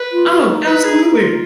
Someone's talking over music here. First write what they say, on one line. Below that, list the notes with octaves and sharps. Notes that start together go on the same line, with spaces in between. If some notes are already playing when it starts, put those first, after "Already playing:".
Oh, absolutely.
Already playing: B4
F4
F#4
D#4
B4
G#4
F4